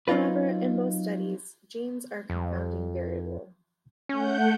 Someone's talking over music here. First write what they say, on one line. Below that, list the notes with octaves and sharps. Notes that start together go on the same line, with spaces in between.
However, in most studies, genes are a confounding variable.
F#3 C4 D#4 F4 B4
F2
A3 C#4 F#5 G6